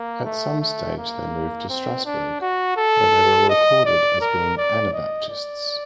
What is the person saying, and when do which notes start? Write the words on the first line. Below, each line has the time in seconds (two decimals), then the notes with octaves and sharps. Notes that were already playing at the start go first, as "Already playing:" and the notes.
At some stage they moved to Strasburg where they were recorded as being Anabaptists.
Already playing: A#3
0.25 A3
0.61 A3
0.98 A#3
1.69 C4
2.05 D4
2.41 F#4
2.77 A4
3.50 D#5
3.85 D5
4.21 A#4
4.57 D5
4.93 D#5
5.29 D5